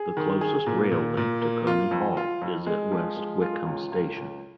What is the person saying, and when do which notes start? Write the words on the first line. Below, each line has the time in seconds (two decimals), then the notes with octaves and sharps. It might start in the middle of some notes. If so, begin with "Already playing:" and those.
The closest rail link to Coney Hall is at West Wickham station.
Already playing: G#4
0.17 D#3
0.41 G#4
0.66 A#2
0.92 A#2
1.17 A#2
1.42 A#3
1.67 F4
1.91 F2
2.17 F4
2.42 F2
2.67 G#3
2.92 F3
3.17 G#3
3.41 F4
3.66 C#2
3.92 C#2
4.16 C#2